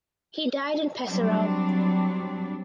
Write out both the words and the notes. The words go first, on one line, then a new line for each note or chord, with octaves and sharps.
He died in Pesaro.
F#3 G3 C4 D4